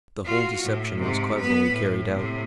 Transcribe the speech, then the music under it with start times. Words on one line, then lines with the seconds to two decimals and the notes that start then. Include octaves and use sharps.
The whole deception was cleverly carried out.
0.25 F4 F#4
0.64 A2
0.98 G#2 C3
1.39 B3 B4
1.71 A2
2.12 A2 C3